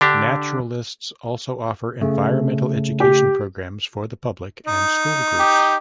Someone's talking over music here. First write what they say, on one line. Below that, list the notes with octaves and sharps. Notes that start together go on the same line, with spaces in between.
Naturalists also offer environmental education programs for the public and school groups.
D3 D4 G4
C#3 A3
G4
D#4
G4